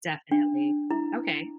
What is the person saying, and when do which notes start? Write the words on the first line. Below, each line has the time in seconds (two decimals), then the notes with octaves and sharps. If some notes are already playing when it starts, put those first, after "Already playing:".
definitely, okay.
0.31 D4
0.91 E4